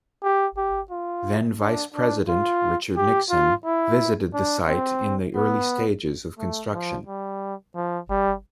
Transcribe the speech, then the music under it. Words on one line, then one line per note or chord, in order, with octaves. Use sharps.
Then Vice President, Richard Nixon, visited the site in the early stages of construction.
G4
G4
F4
D4
D4
F4
G4
F4
E4
D4
C4
B3
A3
F3
G3
F3
G3